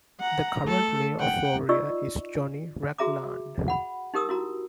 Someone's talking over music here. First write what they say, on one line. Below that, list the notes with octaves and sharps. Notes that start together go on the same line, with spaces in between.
The current mayor of Warrior is Johnny Ragland.
F#5 A#5
A3 A4
F#5 G5
D#4 F4 D5 D#5 C#6 E6
F#4 G#4 E5 A#5 D6
F#5 B5
D#4 G4 A#4 D#6 E6
E4 F#4 A#5